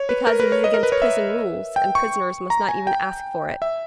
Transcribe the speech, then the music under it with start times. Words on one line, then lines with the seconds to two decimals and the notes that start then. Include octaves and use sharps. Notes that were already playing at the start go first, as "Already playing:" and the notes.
"Because it is against prison rules, and prisoners must not even ask for it."
Already playing: C#5
0.09 B4
0.27 A#4
0.40 B4
0.52 C#5
0.64 D#5
0.74 A#4
0.83 B4
0.92 C#5
1.02 E5
1.76 G5
1.95 C#6
2.50 A#5
2.68 G#5
2.87 G5
3.62 E5